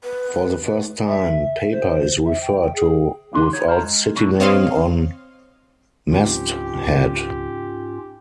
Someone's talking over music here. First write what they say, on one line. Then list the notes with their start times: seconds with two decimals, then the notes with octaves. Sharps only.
For the first time, paper is referred to without city name on masthead.
0.04 B4
1.08 E5
1.72 C5
2.25 E5
2.41 G5
2.75 G#4
3.32 C#2 E3 D4 C6
3.53 D#4 C#5
3.68 A#4 C5 A5 A#5
3.83 G#3
4.16 F#2 B2 D3 D4
4.40 C4 C#5 D#5 F5 C6
6.13 C#2 G#2 F#3 C4 C#4 F4 G4